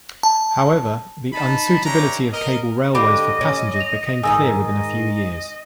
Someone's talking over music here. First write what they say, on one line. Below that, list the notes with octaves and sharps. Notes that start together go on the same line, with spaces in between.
However, the unsuitability of cable railways for passengers became clear within a few years.
A5
D#4 A5 B5
D4 E4 G4 C#5 G5 A#5
A#4 D#5
D3 C4 G4 D#5 B5 D6
C#4
A#6 F7
G#2 D#3 D#4 G#5 D#6 E6
D#5